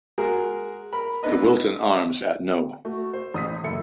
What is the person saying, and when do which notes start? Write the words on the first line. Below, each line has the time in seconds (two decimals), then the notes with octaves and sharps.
The Wilton Arms at no.
0.18 G#3 F#4 G#4 A#4
0.93 A#4 B5
1.23 F2 B3 D4 D#4 B4 D#5
2.85 A3 F#4
3.13 C5
3.34 A1 D#6 B6
3.63 F#1 E4 A4 C#7